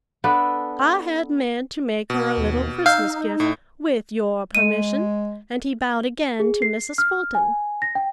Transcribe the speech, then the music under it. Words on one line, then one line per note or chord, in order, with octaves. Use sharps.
"I had meant to make her a little Christmas gift, with your permission," and he bowed again to Mrs. Fulton.
B3 D4 A4 B4
B2
D#2
D#4 F5 E6 G6
A2
G#3 D#7
G#4
C7
F6
G#5
A#6
G5